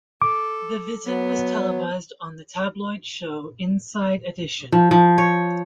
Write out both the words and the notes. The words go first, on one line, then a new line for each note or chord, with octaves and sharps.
The visit was televised on the tabloid show Inside Edition.
A4 D6
F#3 B3
F3
F3
C#5